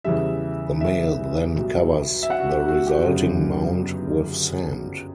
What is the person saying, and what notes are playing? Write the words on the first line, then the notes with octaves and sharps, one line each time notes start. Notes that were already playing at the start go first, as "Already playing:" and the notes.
The male then covers the resulting mound with sand.
E2 C#3 E3 G3 E5
E5
B1 B2 G3
E5
F#5
F#4
G4
F#4
G4
G1 F#2 C#3 F#3